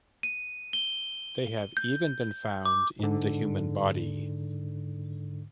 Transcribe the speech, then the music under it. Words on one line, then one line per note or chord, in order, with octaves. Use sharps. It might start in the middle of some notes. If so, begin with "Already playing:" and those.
They have even been found in the human body.
D#7
G7
G6
D6
G#2 D3